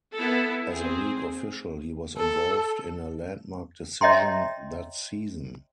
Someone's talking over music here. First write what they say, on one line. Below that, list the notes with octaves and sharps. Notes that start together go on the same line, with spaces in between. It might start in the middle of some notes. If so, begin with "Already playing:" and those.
As a league official, he was involved in a landmark decision that season.
B3 E4 A4
C4 G#4
A4
C#5 D#5 E5 G5 A#5 C6